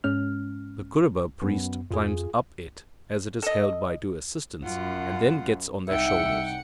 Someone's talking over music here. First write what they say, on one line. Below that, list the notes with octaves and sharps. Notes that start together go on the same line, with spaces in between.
The Kuruba priest climbs up it, as it is held by two assistants, and then gets on their shoulders.
G#2 G#3 C#4 F6
F#2 B3
F2 F4 G#4
A4 D#5
F#2 F4 F#5
C2 D#4 E5 F#5 G5 C#7